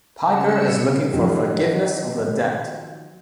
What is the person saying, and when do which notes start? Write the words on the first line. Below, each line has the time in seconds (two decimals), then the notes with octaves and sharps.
Piper is looking for forgiveness of the debt.
0.22 C#3 G3 E6 C#7
1.13 D#3 F3 F#3 C#4 D#4 G4